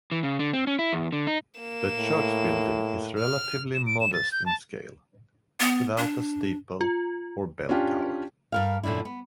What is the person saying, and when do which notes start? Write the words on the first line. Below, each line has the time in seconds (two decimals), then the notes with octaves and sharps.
The church building is relatively modest in scale, without a steeple or bell tower.
0.12 E3
0.23 C#3
0.39 D3
0.53 C4
0.67 C#4
0.79 E4
0.93 E2
1.13 D3
1.27 D#4
1.61 A#3 E7
1.96 A2
3.18 F6
3.74 E7
3.86 D7
4.00 E7
4.13 A6
4.32 G6
4.46 A5
5.60 B3
5.98 D4
6.81 F4
7.69 C#4 D4 F4 G4
8.52 G2 A#4 F5
8.83 F#2 A#2 D3 D4 E4
9.05 B3